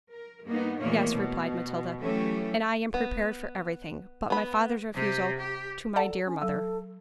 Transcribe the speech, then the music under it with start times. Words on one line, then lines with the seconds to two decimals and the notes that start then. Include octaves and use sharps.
"Yes," replied Matilda, "and I am prepared for every thing, but my father's refusal to my dear mother."
0.12 A#4
0.46 G2 A#3 B3 D#4
0.79 E2 A#2 D#3 A3 A#3 C#5
1.13 B2
1.99 E3 F#3 A3 C#4 G4 A4
2.94 B3
4.30 B3 B5
4.94 C3 G4
5.38 G4
5.96 A4 D5 F#5 A5
6.26 C#4
6.42 F#3 A4